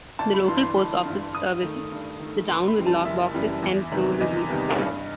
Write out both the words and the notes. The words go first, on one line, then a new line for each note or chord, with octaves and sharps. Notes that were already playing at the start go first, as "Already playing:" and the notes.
The local post office services the town with lock boxes and rural routes.
G1 A5
B5
G2 E3 C6
B5
C6
G1 B5
G2 E3
G2 D#6
D#3 A3
G2
D#3 A3
F#1 C6
B5
F#2 E3 G3
A5
F#1 E5
F#2 E3 G3
E2
C3 D#3 G3 B3
E2 D#5
C3 D#3 G3 B3
G2